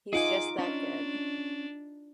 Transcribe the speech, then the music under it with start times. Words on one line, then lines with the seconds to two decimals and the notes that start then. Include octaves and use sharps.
He's just that good.
0.13 D#4 F4 G#4 D#5 F#5 G#5 D6
0.59 C#4 D4